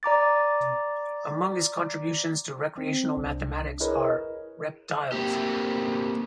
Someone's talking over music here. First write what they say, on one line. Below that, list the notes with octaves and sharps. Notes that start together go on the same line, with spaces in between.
Among his contributions to recreational mathematics are "Rep-tiles".
D5 A#5 D6 A6
C4
C2 D4
E4 G#4 A#4 B4 C#5 D#5
A#3 C4 G4